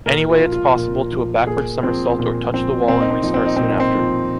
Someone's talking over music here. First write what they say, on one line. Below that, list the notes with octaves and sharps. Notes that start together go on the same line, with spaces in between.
Anyway it’s possible to a backward somersault or touch the wall and restart soon after.
A#2 A#4
F4
F3
F4
A#2
F3
A#2 G#4
F3 C4
A#2
F3 C4
A#2 C4
D#4
C4
F3 D#4
C4
D#4
A#2 C4
D#4
C4
F3